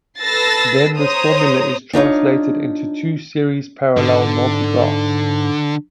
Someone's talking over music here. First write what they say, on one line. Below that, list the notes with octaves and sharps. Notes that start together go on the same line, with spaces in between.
Then this formula is translated into two series-parallel multigraphs.
A4 B4 E6 A6 A#6 C7
C5 C#5 A#5 D#6
D4 D#4 F4 C#5
G#2 D3